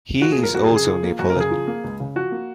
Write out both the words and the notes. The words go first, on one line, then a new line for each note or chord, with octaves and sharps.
He is also Neapolitan.
F3 F#4
G#4
A#3
A#4
F#2 F#4
G#4
C#3
G#4
F3
A#3
F#2 F#4
A#4
C#3
G#4
F3
A#3
C#2
C#3
F3 F#4
A#3